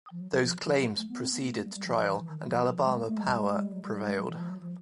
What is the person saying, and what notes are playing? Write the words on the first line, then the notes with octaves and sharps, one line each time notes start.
Those claims proceeded to trial, and Alabama Power prevailed.
F3
F#3
F#3
F3
F3
F#3
A3
B3
C4
B3
A#3
A3
G3
G3
F3
F3
E3
E3
D#3
F#3
F3
F#3
F3
G#3
A#3
A3
G#3
F#3
G3
G#3
G#3
G3
F#3
G3
G3
G#3
F#3
E3
F3
F#3
F3